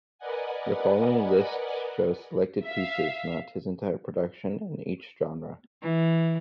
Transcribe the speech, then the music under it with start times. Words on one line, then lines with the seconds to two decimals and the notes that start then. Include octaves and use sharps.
The following lists show selected pieces, not his entire production in each genre.
0.19 A#4 B4 D5 D#5 F#5 G#5
2.65 E5 F5
5.82 E3